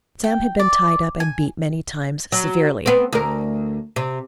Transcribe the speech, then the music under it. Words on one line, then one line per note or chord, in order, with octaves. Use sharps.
Sam had been tied up and beat many times severely.
G5
D5
G#5
F#3
B3 C4
D2 A#4
C3